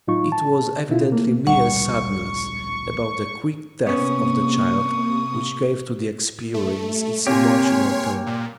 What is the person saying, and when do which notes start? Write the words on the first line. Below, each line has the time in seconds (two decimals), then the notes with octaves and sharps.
It was evidently mere sadness about the quick death of the child which gave to the experience its emotional tone.
0.08 A2 F#3 D#4 F4 C#6
0.32 A5
0.89 B2 E4 F4
1.12 A3 A#3
1.47 D1 A#1 G3 F#5 C#6
3.87 C3 A#3 B3 C#4 C#6 D#6
6.54 A3
7.27 C3 A#3 G4 C#5 G#5 C6
8.27 A#2